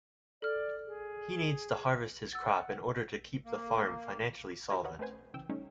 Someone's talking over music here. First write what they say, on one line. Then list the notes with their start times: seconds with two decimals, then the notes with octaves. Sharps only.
He needs to harvest his crop in order to keep the farm financially solvent.
0.42 A4 D5 F6
0.87 G#4
2.33 F#5 E6 A6
3.46 A#3
4.70 E4 F#4 G4 A#4 D#5 G#5
4.84 A#4 B4 C#5 D#5 F#5
4.99 A3 C4 C#4 B4 C5 G#5
5.34 C#3 E3 G5 E6
5.49 G3 A3 C#4 D#4